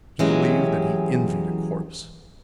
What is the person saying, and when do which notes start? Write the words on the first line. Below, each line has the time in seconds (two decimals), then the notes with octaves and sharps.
He believed that he envied a corpse.
0.19 E3 F#3 G#3 C#4 G4